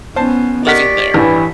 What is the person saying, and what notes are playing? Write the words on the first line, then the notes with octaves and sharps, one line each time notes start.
living there.
B3 C#4 C5 A5
G4 A#4 D5 D#5 F#5 B6
A1 G2 E3 E4